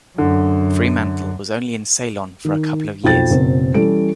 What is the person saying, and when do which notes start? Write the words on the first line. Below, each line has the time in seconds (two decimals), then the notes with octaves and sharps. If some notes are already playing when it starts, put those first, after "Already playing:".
Fremantle was only in Ceylon for a couple of years.
0.18 F#2 D3
2.45 D#3
3.04 B1 F2 G5 A6
3.30 F#1 B2 C4
3.74 E3 G3 C#4 A4 D7